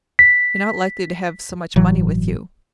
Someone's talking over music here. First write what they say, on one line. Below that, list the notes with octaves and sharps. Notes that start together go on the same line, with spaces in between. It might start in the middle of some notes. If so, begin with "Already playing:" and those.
You're not likely to have so much money with you.
B6
G1 A2 E3 F#3